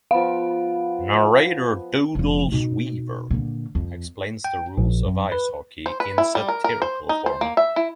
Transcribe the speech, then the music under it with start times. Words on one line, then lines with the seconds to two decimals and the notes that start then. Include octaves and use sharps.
Narrator Doodles Weaver explains the rules of ice hockey in satirical format.
0.11 F3 B3 F5
2.15 F1 F3
2.52 B2 D#4
3.31 A#2 D3
3.75 F2
4.44 G5
4.78 A#1
5.06 F#2
5.32 B4
5.86 C5
6.00 B4
6.18 E4
6.35 G3
6.48 A#4
6.64 A#4
6.82 C5
7.09 D#4
7.26 C5
7.41 A#3
7.57 E5
7.76 E4